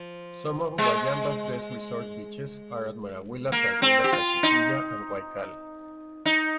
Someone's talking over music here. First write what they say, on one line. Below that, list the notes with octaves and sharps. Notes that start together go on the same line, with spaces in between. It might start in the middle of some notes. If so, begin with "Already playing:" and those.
Some of Wayamba's best resort beaches are at Marawila, Talwila, Kalpitiya and Waikkal.
Already playing: F3
G#3
A#3
C4
G4
F4
D#4
D#4